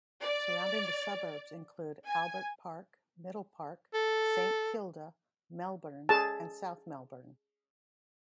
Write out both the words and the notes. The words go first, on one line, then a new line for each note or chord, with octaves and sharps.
Surrounding suburbs include Albert Park, Middle Park, Saint Kilda, Melbourne and South Melbourne.
D5
G#5
A4
G#4 A5